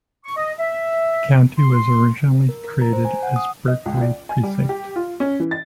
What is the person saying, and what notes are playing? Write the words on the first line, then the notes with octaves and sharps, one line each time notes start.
The county was originally created as Berkeley Precinct.
C#6
D#5
E5
C6
A#4
A#4
A#5
C5
G#5
F#5
D#6
D#5
C#2
D5
G#5
G3
G4
F4
C#4
E3
A6